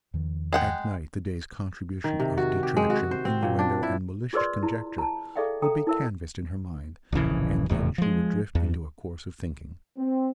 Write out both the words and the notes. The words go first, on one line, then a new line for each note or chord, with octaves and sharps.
At night the day's contribution of detraction, innuendo and malicious conjecture would be canvassed in her mind, and then she would drift into a course of thinking.
E2 D#3 F3
G#3 F#5 G5
D#3
C3
F#4
G4
G#3
F#4
C5
C4
A#2
D4
E4
F4 G#4 A#4 B4 D5 C6
E4 A#5
A5 A#5
G#4 A4 D5 E5 F5 G5
A4 G5 A#5 D#6
E4 A#4 E5
D1 A#1 C#3 E3
F1 E2 A2
F3 G#3
E2
C4